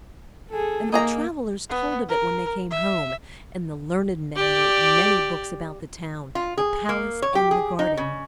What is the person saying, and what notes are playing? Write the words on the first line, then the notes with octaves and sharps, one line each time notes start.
And the travelers told of it when they came home; and the learned men wrote many books about the town, the palace, and the garden.
G#4 A4
A#3 D#4 G#4 A#5
B3
A#4
E5
G4 D5
F4
G#4
A#3
C#5
G4
G#4
D#4
C#3